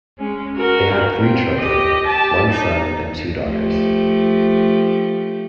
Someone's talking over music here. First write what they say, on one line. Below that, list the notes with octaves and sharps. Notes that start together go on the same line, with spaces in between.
They had three children, one son and two daughters.
G#3 C#4
F#4 A#4
C4 G5
G4 D#5
G4 A5
D#4
F3 A3 G4